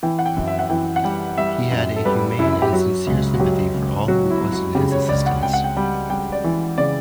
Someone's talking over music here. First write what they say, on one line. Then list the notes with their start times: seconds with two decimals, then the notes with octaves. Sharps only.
He had a humane and sincere sympathy for all who requested his assistance.
0.03 E3 G5
0.19 F#5
0.26 G5
0.37 F#2
0.48 E5
0.59 F#5
0.70 E3 G5
0.96 F#5
1.04 G3 G5
1.38 G3 E5
1.72 F#2
1.96 A4
2.05 G3 B4
2.39 F#2 E4
2.62 G4
2.73 F#3 F#4
3.07 C#2
3.34 F#4
3.40 F#3 G4
3.74 C#2
4.08 F#3 F#4
4.30 E4
4.41 F#3
4.52 F#4
4.75 C#3 G4
4.92 C#5
5.08 C#2 D5
5.26 F#5
5.43 C#2 G5
5.53 F#5
5.64 G5
5.77 G3
6.10 G3 G5
6.32 D5
6.44 E3
6.78 C#3 D5